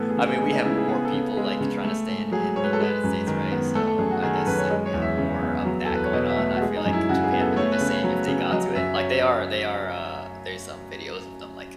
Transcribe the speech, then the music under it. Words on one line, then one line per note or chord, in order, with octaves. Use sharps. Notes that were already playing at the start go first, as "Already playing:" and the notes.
I mean, we have more people, like, trying to stay in in the United States, right? So I guess, like, we have more of that going on. I feel like Japan would do the same if they got to it. Like they are they are, uh, there's some videos of them like,
Already playing: A2 E3 B3 A4
G#4
C#3
G#4
G#3
D#4
C#3 E4
G#4
B3 G#4
A4
C#3
G#3
C#3
A3
G#2
F#3 G#4
G#2 C#5
B4
A4
G#3 B4
F#2
D#3
B3
A3 A4
A4
F#2 G#4
F#4
D#3 G#4
A4
F#2 B4
C#5
G#3 D#5
C#5
E2
E5
C#3
B3
F#3
A4
E2
B4
C#5
B2 D#5
E5
A3
F#4
G#3 G#4
D#4
F#2
E4
C#3 F#4
G#4
B3
A4
A3 C#5
B4
C#3
C#5
F#3
C#3
F#3 D#5
F#2 E5
C#5